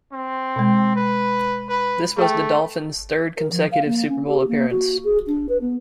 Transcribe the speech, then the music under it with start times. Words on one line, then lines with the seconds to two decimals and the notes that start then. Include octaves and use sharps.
This was the Dolphins' third consecutive Super Bowl appearance.
0.12 C4
0.56 B2 G#3
0.95 B4
1.69 B4
2.17 A3 G#4 G5
3.37 A#4
3.51 F3
3.72 F5
3.85 A#3
4.08 C#4
4.27 G4
4.48 A#3
4.71 F#4
5.04 G#4
5.27 D4
5.49 B4
5.61 B3